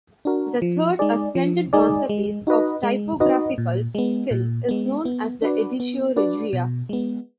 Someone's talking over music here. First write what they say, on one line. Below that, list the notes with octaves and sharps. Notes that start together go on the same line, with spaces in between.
The third, a splendid masterpiece of typographical skill, is known as the Editio Regia.
D4 F#4 A#4
F3
G#3 D#4 G#4 D5
F3
G#3 D#4 G#4 D5
G#3
D#4 F#4 B4 D#5
G#3
D#4 F#4 B4 D#5
A#2
G#3 B3
A#2
G#3 B3
B3
D4 F#4 B4 D5
B3
D4 F#4 B4 D5
B2
G#3 B3